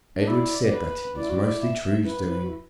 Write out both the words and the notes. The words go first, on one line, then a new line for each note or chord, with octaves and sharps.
Edred said that it was mostly True's doing.
D4
E4 D5
B4
E4 D5
F#4
E4
E5
D4
E4 B4
E4
F#4
E4